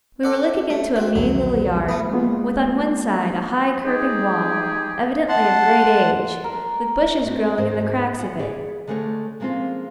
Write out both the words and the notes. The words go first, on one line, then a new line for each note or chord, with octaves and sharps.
We were looking into a mean little yard, with on one side a high curving wall, evidently of great age, with bushes growing in the cracks of it.
A4 D5 F#5
A3
C4 F#4
A#1 D#2 D3 F#3
A3 B3
G#3 A#3 B3 F4
G#3 D#4 G4 G#4
F#5 A5 C6
A#4
A3 B3 C4 F#4
D#2 G#2 D4 A#4 C5
E3 F4 F#5
G4 G#4 C#5 D5
D3 G#3 A3 A#4 C5 C#5
F3 G#3 A#3 C4 C#4 F4